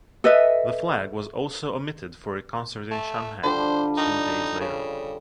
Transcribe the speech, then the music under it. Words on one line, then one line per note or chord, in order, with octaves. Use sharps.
The flag was also omitted for a concert in Shanghai two days later.
A4 B4 D#5 E5
A3
D3 F3 G3 C5
D#4
C#3